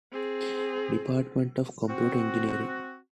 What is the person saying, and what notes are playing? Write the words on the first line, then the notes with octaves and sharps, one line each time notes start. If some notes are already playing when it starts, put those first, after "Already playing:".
Department of Computer Engineering.
C4 G#4
C4 F#4